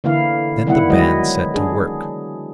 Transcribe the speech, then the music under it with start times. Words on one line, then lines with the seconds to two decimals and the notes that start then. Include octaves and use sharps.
Then the band set to work.
0.04 D3 E3 A#3 E4 F5
0.67 D#3 G3 B3 E4 F#5
0.90 E3 F#3 G#3 E4 D#5
1.54 D4 G#4